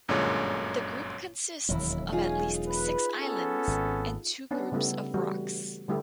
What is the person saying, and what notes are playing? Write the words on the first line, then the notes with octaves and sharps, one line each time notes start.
The group consists of at least six islands and two groups of rocks.
G1 F#2 A#2 D3 G#3 C#5
E1 D#2 F#3 E4
C#4 D#4 F4 G#4 G#5
B4
B3 C#4 A4
G#1
B3 C#4 D4
C#3 G3 A3 B3 E4
E3 G3 A3 F#4
D3 G3 A3 E4 G4